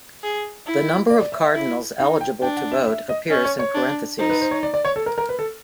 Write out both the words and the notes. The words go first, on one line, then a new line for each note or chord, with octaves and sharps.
The number of cardinals eligible to vote appears in parentheses.
G#4
E4
D5
D5
E5
E5
E4
D#4 F5
G5
D4 G5
F#5
E5
E5
D#5
C#4 D#5
C#5
C#5
D4
D#4 C5
B4
C5
C#5
D5
D5
C#5
A4
A#4
A#4
B4
A4